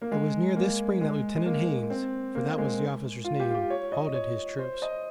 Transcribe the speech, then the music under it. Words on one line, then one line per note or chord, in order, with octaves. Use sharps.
It was near this spring that Lieutenant Haines, for that was the officer's name, halted his troops.
A#3
G#3
A#3
G#3
G#3
A#3
C4
A#3
G#3
F4
G4
F4
G4
C#5
D#5
C#5
C5
D#5